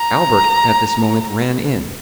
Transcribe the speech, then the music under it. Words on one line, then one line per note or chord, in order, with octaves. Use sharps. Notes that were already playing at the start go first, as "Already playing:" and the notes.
Albert at this moment ran in.
Already playing: A#5